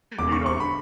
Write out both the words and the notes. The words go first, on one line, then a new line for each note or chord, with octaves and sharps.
you know
E1 E2 C#3 D6
C#6
C#6
D3 B5